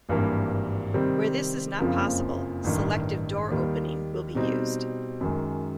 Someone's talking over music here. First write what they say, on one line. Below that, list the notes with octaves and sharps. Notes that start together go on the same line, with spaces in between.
Where this is not possible, selective door opening will be used.
G#1 G2 E3 G3 A#3
C3 D#3 G3 C4
F#1 F2 C#3 F3 A#3
A1 G2 D#3
D#2 D#3 G3
B2 G3 C4 D#4
F#2 D#3 G#3